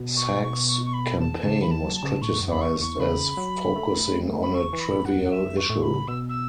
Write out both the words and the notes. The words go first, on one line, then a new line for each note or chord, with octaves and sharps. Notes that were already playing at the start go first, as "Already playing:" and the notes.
Sacks' campaign was criticized as focusing on a trivial issue.
Already playing: B2
C#6
C#6
C#6
C#6
B5
A5
C#3 A5
E3 B5
A5
F#3
A5
C#3
A2 C#6
F#2
B5
E2 C#6
E2 C#6
C#3 B5
F#3
A3
B5
C#6
E3
B5
A2
F#5
E2
F#5
F#2 E5
C#6
A2
B5
B2 E6
E6